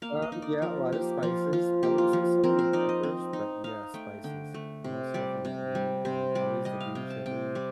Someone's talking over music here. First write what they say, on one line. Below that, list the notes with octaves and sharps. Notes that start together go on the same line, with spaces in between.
Um, yeah, a lot of spices. I wouldn't say so many peppers, but, yeah, spices. Most definitely, um, always the green chili,
A#3 F5
D#5
D#4
D5
F3 A#4
A#3 G4
F3 F4
F3 F4
A#3 G4
F4
F3
C4 A#4
C5
D#4 D5
D#5
C4
D#4
D#4 F5
A3 G5
D3 G5
A3
C3
G3 D5
C3
G3
C3 C5
G3 D5
G3 D#5
F5
C3 G5
A5
C3 G5
G3 D5